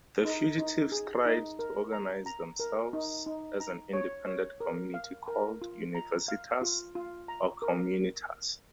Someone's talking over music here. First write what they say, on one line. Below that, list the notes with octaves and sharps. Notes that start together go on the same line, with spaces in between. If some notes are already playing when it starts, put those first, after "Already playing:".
The fugitives tried to organise themselves as an independent community called "universitas" or "communitas".
D#4
D#4
G#4
D#4
A#4
A#5
A#5
A#4
D#4
D#4
A#5
C#5
C#5
A#4
F5
A#4
F4
A#5
F5
F4
F4
A#5
A#4